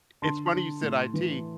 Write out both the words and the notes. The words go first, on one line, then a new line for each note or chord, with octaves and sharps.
It's funny you said IT.
D3 A5 C6
D3
A2
E3